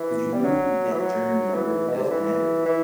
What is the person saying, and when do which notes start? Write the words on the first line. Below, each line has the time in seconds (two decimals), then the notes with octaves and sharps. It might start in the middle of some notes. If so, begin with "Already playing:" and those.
'Cause you need that journey that really does matter,
Already playing: E3
0.33 G3
0.44 F#3
0.92 E3
0.99 F#3
1.54 E3
1.88 B2
1.96 C3
2.03 D3
2.11 E3
2.66 E3